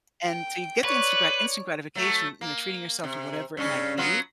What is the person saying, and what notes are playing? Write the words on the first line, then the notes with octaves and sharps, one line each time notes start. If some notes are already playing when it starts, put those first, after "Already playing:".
And so you get the instant grat instant gratification, you know, treating yourself to whatever it might be,
G5
B4 C#5 D5 C#6
F#3 A3
A#3
C3
G2 C#3 C#4
F#3 B3 F4